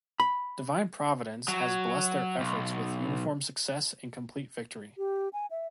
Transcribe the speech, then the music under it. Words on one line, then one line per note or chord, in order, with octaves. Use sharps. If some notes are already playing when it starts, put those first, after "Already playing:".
Divine Providence has blessed their efforts with uniform success and complete victory.
B5
F#3
B1
G4
G#5
E5